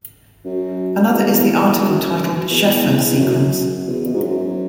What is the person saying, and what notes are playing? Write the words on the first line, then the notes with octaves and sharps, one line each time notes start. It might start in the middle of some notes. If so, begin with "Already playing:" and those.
Another is the article titled Sheffer sequence.
F#2
E2
F#2
E2
E2
F#2
E2
B2
G#2
F#2